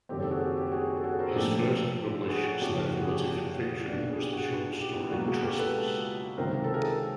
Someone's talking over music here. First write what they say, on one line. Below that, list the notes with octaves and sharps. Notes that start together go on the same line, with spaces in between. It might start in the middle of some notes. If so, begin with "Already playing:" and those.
His first published speculative fiction was the short story Trespass!
F#1 F#2 D#3 G3 C4 G4
G4 A4
F#4 G#4
G4
G4
F#4 G#4
A4
F#4 G#4
A#4 C5
G#4
A#1 A2 F3 A#3 G4 A4
F#4 G#4
F#4
F#1 F2 C#3 G4
F#4
G#4
G4
G4
B1 A#2 G3 B3 D4
G#4
G4
F#4 G#4
G4
C#2 B2 F#3 A#3 F#4
F#4 G#4
G4 A4
A4 B4
C#2 C3 D#3 F#3 A#4 C5
A#4
A4
G#4 A#4